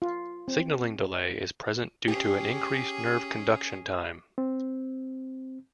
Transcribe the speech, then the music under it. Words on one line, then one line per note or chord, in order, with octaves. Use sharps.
Signaling delay is present due to an increased nerve conduction time.
F4
C4
C#4 G4 G#4
C4